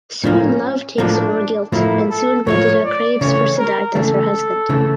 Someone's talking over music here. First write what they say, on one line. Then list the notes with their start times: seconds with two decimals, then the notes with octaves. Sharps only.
Soon love takes over guilt and soon Vedhika craves for Siddharth as her husband.
0.24 A2 F3 A#3 C#4
0.98 A2 F3 A#3 D4
1.72 A2 F3 A#3 E4
2.10 A4
2.47 A2 F3 A#3 C#5
2.85 D5
3.21 C#3 E3 A3 C#5
3.58 A#4
3.95 C#3 E3 A3 A4
4.69 C#3 E3 A3